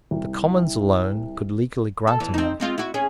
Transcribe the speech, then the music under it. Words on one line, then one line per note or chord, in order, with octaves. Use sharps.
The Commons alone could legally grant him money.
C2
A4
E2 E3
C4 D#4
G#3 C4 F4
E4 F#4
C#4 G#4